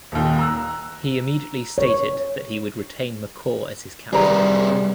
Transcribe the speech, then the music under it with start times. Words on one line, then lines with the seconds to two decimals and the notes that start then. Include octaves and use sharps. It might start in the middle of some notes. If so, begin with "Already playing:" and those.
He immediately stated that he would retain McCaw as his captain.
0.12 D#1 D#2
0.38 A#5 E6 F#6
1.78 C#5
4.13 C3 G3 G#4 A#4 B4 A#5